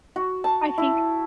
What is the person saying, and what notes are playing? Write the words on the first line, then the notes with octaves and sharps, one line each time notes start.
I think
F#4
A5
E4